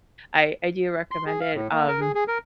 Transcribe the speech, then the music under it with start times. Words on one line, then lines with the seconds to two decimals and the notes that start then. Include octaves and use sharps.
I I do recommend it, um,
1.11 C6
1.26 G#4
1.40 F5
1.55 A2
1.72 A#3
1.88 A#4
2.00 G#4
2.15 G#4
2.28 A#4